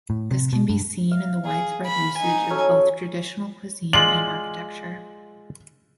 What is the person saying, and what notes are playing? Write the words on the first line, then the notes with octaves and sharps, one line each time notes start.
This can be seen in the widespread usage of both traditional cuisine and architecture.
A2
C3
B2
G2
F5
G#4
B5
D#4 G#5
F#3 C#4 A4
G#3 F4 D5 F#7